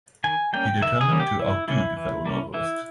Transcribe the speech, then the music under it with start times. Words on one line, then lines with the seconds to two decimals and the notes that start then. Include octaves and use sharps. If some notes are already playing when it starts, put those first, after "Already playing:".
He determined to outdo the fellow novelist.
0.24 D#3 G#5
0.53 G3 A#3 C#4 G5
0.81 D#3 E5
1.01 G#4
1.11 G3 A#3 C#4
1.20 G4
1.40 E3 E4
1.68 G3 A#3 C#4 E4
1.97 E3
2.25 G3 A#3 C#4
2.54 E3 E4